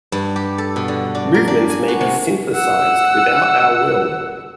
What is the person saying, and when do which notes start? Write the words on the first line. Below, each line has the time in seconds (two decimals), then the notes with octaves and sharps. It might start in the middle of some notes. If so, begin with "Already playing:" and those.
Movements may be synthesized without our will.
0.12 G2
0.36 G4
0.58 A4
0.76 B2
0.88 D3
1.15 D4
1.34 A#4
1.47 D4
1.70 G#5
1.88 F#4
2.01 C3
2.54 F#5 E6